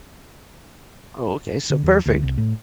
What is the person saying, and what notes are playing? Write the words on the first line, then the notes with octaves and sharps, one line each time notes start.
Oh, okay, so perfect.
D3
E2
D2
C2
A2